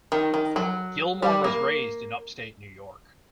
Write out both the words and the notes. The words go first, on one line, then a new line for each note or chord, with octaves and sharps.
Gilmore was raised in upstate New York.
D#3
D#3
F#3
G3
A#3